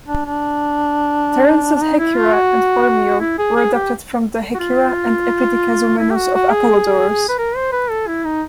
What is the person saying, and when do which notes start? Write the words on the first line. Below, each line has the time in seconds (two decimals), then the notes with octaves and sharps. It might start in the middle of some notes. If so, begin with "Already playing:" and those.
Terence's "Hecyra" and "Phormio" were adapted from the "Hekyra" and "Epidikazomenos" of Apollodorus.
0.08 D4
0.26 D4
1.76 D4
1.82 D#4
2.00 E4
2.17 F4
2.34 F#4
3.20 E4
3.39 G#4
3.56 G#4
3.74 G4
4.55 F#4
4.60 F4
5.99 E4
6.11 G4
6.16 F#4
6.35 F#4
6.51 G#4
7.29 B4
7.39 A#4
7.56 C5
7.73 B4
7.90 A4
8.08 E4
8.25 D#4